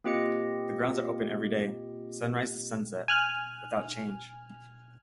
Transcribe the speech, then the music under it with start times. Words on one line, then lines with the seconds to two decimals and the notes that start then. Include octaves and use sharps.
The grounds are open every day, sunrise to sunset, without charge.
0.04 A#3 C4 F4 G4 D#5 C#7
3.08 G#5 F6 F#6